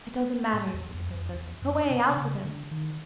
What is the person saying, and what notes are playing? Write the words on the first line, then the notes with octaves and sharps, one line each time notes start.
'It doesn't matter!' said the Princess. 'Away! out with him!'
A2
E2
F2
F2
E2
F#2
C3
C#3
D3
D#3